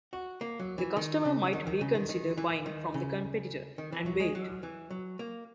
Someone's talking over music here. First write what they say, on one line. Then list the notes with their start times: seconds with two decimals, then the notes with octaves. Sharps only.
The customer might reconsider buying from the competitor, and wait.
0.13 F#4
0.41 A#3
0.60 F#3
0.78 E3
0.97 D#3
1.25 C#3
1.53 D#3
1.67 D#3
1.81 C#3
1.95 D#3
2.09 D#3
2.38 E3
2.66 D#3
2.94 C#3
3.78 D#3
3.92 E3
4.06 F#3
4.20 G#3
4.35 F#3
4.63 E3
4.91 F#3
5.19 A#3